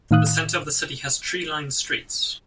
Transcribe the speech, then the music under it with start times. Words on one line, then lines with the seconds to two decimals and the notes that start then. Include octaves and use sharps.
The center of the city has tree-lined streets.
0.11 A2 D#3 F5 D#6 F#6